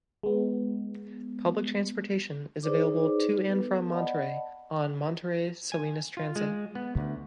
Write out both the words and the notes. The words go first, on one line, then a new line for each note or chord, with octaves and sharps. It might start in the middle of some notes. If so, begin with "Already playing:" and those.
Public transportation is available to and from Monterey on Monterey–Salinas Transit.
G#3 B3
D#4 G#4 B4 C5 D5 D6
B3 A4 B4
D5 D#5 F#5 A5 B5
G#5
F4
G#3
B3
D2